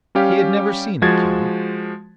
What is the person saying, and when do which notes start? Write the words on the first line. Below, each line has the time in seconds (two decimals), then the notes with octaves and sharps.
He had never seen a king.
0.15 G3 C#4 G4 F5
1.02 F3 G#3 F#4 C5 G#6 A6